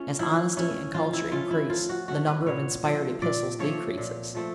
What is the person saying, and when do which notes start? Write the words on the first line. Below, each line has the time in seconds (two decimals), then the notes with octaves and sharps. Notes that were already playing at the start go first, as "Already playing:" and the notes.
As honesty and culture increase, the number of inspired epistles decreases.
Already playing: A3 C#4 F4
0.19 F3 E4
0.57 A3 C#4 E4
0.94 F3 F4
1.13 E4
1.32 A3 C#4 F4
1.51 E4
1.70 F3 F4
1.89 F#4
2.08 A3 C#4 F#4
2.28 B4
2.46 A#2 C#5
2.84 F3 A3 C4
3.22 A#2 D5
3.59 F3 A3 C4 C#5
3.98 A#2
4.35 F3 A3 C4